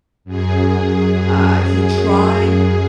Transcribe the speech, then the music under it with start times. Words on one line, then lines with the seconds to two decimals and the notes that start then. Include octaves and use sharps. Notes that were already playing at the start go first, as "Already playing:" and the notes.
Uh, he tried
0.25 F#2 G#4